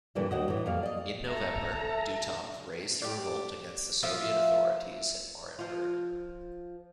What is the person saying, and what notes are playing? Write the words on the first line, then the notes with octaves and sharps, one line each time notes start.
In November, Dutov raised a revolt against the Soviet authorities in Orenburg.
G2 A#2 D3 E3 F3 G3
D#2 F#4 D#5
A2 E3
F2 G3 A#3 F5
D5 D#5
A4 E5 A#5
G4 D5
F3 F4 E5 F5
F3 F4